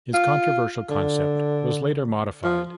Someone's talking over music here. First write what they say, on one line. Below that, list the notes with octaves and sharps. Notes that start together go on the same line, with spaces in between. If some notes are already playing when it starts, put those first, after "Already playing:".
His controversial concept was later modified.
F4
D3
F3